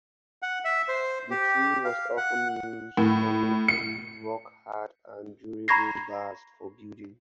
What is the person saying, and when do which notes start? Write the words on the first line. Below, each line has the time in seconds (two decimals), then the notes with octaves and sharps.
The tree was often used for making rock-hard and durable bars for building.
0.42 F#5
0.65 E5
0.88 C5
1.31 G4
1.85 F5
2.17 F#5
2.97 A2
3.68 C#7
5.68 A#5 B5 C#6 G#6 A#6 C7